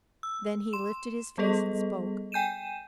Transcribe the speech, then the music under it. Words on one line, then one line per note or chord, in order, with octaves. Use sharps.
Then he lifted his face and spoke.
E6
C6 E7
G3 B3 G#4 A4 D#5
G5 G#5 G6 D#7 E7